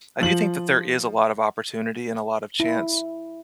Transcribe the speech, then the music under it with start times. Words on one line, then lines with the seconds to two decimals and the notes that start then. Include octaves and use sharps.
I do think that there is a lot of opportunity and a lot of chance,
0.21 F3 F#7
2.60 E4